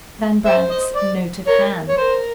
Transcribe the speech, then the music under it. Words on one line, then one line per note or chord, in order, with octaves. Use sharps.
Van Brandt's note of hand!
C5 E5
D#5
D5
A#4 C#5
C#5
A#4 C5